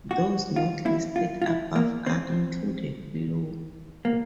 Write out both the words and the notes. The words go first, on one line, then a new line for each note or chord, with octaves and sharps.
Those not listed above are included below.
F#4
F4
E4
F4
F4
E4
A#3
C4
A#3